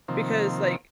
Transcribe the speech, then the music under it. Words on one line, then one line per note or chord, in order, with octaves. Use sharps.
because like
C3 D#3 F3 A#3 C4